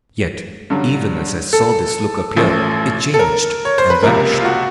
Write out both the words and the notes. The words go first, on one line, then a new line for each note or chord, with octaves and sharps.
Yet even as I saw this look appear it changed and vanished.
G2 D3 F#3
A4
A1 A2 F3
A4
A#4
C#5
C5
B4
C#2 C3 F3 A#3 A#4
F4
F#4